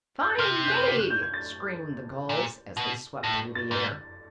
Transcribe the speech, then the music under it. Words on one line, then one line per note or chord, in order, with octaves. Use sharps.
"Fine day!" screamed the Gulls, as they swept through the air.
G6
F#6
C3 F6
G6
F#6
F#6
G6
G#6
A6
A#2
B2
A2 A#6
A6
G#2